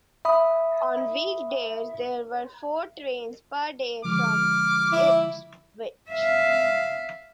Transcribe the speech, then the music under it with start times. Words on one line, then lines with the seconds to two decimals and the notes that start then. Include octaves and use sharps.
On weekdays there were four trains per day from Ipswich.
0.25 E5 B5 D#6
4.05 D3 F3 G#3 D6 F6
4.92 E4
6.10 E5 F5